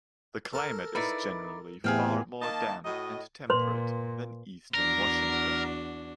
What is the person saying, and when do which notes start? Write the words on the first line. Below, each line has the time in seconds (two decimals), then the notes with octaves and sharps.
The climate is generally far more damp and temperate than Eastern Washington.
0.53 A4 A#4
0.95 D#4 E4 B4 D5
1.84 E2 A2 C3 B3 G#4 F5 G5
2.41 D#3 A#3 D#5 A5
2.85 A2 F#4 D#5
3.50 A#2 B4 C6
4.74 E2 D4 F#4 A#4